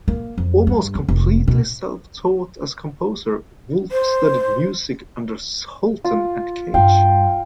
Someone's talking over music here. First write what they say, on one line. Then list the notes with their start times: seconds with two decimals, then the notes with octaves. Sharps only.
Almost completely self-taught as composer, Wolff studied music under Sultan and Cage.
0.08 A#3
0.38 F2
0.67 G2
0.95 F2
1.09 F1
1.48 B2
3.91 C5
6.04 F4
6.74 G2 G3 F5 G5